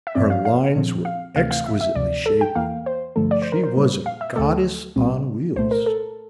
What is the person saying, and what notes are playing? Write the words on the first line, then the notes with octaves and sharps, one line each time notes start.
Her lines were exquisitely shapely; she was a goddess on wheels.
E5
G2 F3 C4 D5
F5
F5
A#2 F3 C4
F5
D2 C3 E3 A3 F5
F5
E5
E5
D2 C3 F3 D5
A4
G5
E2 E3 A#3 F5
C5
G2 D3 F3 A3 A4
D5
C5
A#4
C5
A#2 G3 A#3
F5
E5
D2 D3 A3 A4
C2 A#2 G3 C4
C2 A#2 A3 C5
A#4
A4